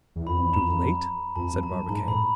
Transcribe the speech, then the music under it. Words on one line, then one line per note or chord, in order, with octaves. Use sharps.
"Too late?" said Barbicane.
E2
F2 B5
F2
E2
A#5
F2
F2 A5
F2
A5
F#2
G#2 A#5
A2 B5